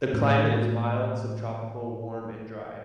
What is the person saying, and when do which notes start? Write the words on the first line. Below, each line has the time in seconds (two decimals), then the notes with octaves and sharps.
The climate is mild subtropical, warm and dry.
0.13 A2 A3 C#4